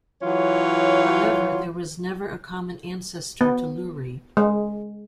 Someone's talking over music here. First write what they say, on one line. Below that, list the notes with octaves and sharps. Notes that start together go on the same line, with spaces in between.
However, there was never a common ancestor to Luri.
E3 F#3 F4 C#5
B3
G#3